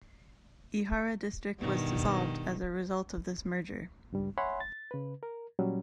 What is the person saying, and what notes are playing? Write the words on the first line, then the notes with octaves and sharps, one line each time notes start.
Ihara District was dissolved as a result of this merger.
G2 B2 D#3
C#2 G2 G3
C#5 E5 F#5 G#5 B5 C6
A6
C#3 B4
A#4
A#2 F#3 G3 C#4